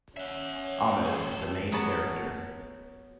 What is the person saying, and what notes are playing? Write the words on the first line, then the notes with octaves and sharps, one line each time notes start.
Ahmed: The main character.
C#4 E5 F#5
G#4 A4
F#3 B3 C#5 G#5 A5 B5